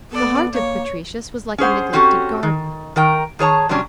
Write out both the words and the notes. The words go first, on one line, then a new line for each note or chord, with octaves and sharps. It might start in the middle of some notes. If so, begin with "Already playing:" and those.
The heart of Patricius was like a neglected garden.
B3 A4 D5
A#3 C#5
C#4 G#4 C5 F#5
C4 C#4 F#4 G4 A4
D#3
D#3 A#4 G5
D#3 G#4 C#5 A5
C3 F#3 G3 C#4 D4